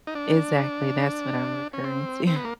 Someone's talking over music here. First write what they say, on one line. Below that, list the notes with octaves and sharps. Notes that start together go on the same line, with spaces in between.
exactly, that's what I'm referring to.
D#4
D4
C#4
C4
C4
B3
A#3